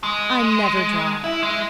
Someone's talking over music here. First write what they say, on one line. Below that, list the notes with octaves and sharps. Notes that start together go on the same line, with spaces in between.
I'm never dry.
G#3
E4
G#3